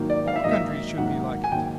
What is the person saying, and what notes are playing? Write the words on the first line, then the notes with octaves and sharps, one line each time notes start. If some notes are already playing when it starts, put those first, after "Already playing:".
All countries should be like it!
Already playing: G#2 D#3 F#3 A#3
D5
F5
E5
G#2 D#3 F#3 A#3 D#5
E5
G#2 D#3 F#3 A#3 F#5
G#5
G#2 D#3 F#3 A#3 G5